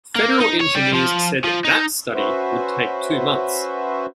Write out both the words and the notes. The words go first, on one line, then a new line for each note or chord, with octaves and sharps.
Federal engineers said that study would take two months.
A#3
D#4
C#5
G3
F3
F3
D#4
C#4 F#4 B4 C5 E5